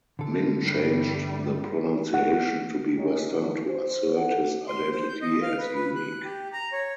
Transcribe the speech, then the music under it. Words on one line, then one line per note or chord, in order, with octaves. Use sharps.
Min changed the pronunciation to be western to assert his identity as unique.
D3 A4
G2 G3 A3
F#5
C#4 D#4 F4 G4 G#4 C#5
G#1 B2 D3 D#3 F3 F#3
C5
A4 F#5
C6
C5
G6
D#5
F5
B4
B4
F#6
G4
A#5
C#5